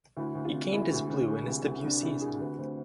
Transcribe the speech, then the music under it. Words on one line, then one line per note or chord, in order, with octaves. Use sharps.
He gained his blue in his debut season.
D2 E4
D2
F4
C3
G#3 E4
D2
D2
G#3
C2
C2
C2 D4
C2 E4
C3 G#4
D2 B4
D2 C5